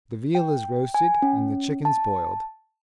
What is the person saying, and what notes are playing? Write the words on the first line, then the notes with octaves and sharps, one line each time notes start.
The veal is roasted, and the chickens boiled.'
G5
G#5
C#4
A5